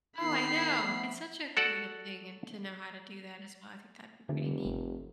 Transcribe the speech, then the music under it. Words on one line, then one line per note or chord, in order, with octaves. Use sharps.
Oh, I know, it's such a creative thing and to know how to do that as well, I think that'd be pretty neat.
D#3 B3 D#4 B5 C7
F3 A3 B3
F#4 A4 D5 F#5
F1 D3
G#1